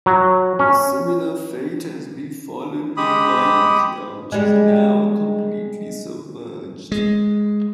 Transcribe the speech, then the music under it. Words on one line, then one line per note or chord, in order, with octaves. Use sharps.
A similar fate has befallen nearby Bithia, which is now completely submerged.
F#3
C#4
G#3 G4 B5 D#6
G3 G#3
G#3